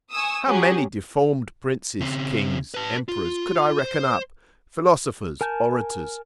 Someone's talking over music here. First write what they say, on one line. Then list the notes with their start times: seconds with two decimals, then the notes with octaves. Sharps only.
How many deformed princes, kings, emperors, could I reckon up, philosophers, orators?
0.11 G#5 C#6 D#6 E6
0.46 F#3 C#4 G4 G#4
2.00 C#3 C4
2.74 B4 A5
3.09 F4
3.79 C5
5.41 A#4 G#5 A5 G6